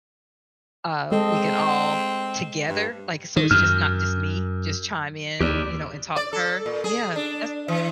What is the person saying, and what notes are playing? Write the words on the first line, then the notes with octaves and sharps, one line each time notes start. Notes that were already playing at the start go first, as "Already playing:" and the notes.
uh, we can all together, like, so it's just not just me, just chime in, you know, and talk to her. Yeah, that's
G#3 C4 A4 D#5
G2
D#3
F#2 F6
D#2 G4 D5
D5
A4
A#2
G#4
D4
E3